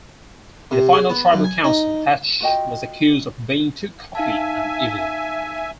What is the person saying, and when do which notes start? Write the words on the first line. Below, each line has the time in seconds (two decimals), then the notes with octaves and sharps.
In the final tribal council, Hatch was accused of being too cocky and evil.
0.71 C3
0.93 G#4
1.09 B3
1.32 F#2
1.44 G#5
1.64 D#4
2.41 F4 F#4 D#5 G5
4.15 D#4 E5 F5 G#5 A5